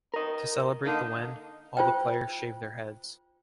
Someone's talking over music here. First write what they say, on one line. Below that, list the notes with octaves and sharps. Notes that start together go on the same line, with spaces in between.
To celebrate the win, all the players shaved their heads.
A#4 D#5
D3 A#3 D#4
F4 C5 G5